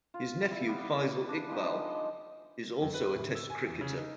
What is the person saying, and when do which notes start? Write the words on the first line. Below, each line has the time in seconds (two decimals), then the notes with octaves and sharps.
His nephew, Faisal Iqbal, is also a Test cricketer.
0.14 F4
0.47 C4 E4
0.67 G3 B3
1.29 D4
1.48 D#3 F3 G#3
1.77 D#5
2.82 F#2
2.94 B4
3.16 A2
3.35 E6
3.50 G#5
3.66 E2
3.81 C#3
3.98 D#4